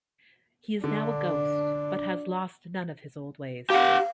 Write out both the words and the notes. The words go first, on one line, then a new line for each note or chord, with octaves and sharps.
He is now a ghost, but has lost none of his old ways.
D3 D4
G4 F5 F#5